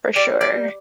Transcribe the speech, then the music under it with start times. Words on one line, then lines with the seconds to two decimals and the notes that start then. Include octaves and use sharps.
for sure.
0.16 G3 D5
0.40 G3 D5